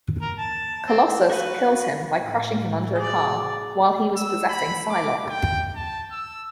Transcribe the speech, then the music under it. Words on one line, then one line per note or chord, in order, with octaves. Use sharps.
Colossus kills him by crushing him under a car, while he was possessing Psylocke.
A#4
A5
C4
F#4 B4 F5
A2
F#4 G#4 D5
E6
B5
D6
G5
A5
E6